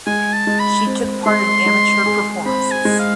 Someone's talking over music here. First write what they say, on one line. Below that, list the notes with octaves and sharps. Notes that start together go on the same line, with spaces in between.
She took part in amateur performances.
G#3 G#5
A5
G#3
B5
C4
G#3 C6
G#3
G#4
C4 B5
G#5
G#3
F5